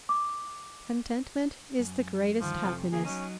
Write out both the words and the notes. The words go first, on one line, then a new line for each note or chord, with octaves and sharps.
"Contentment is the greatest happiness."
D6
F#2
D2 G2 D#3 F3
F2 C3 A4
D2 A#3 G#4
F#3 C#4 D#4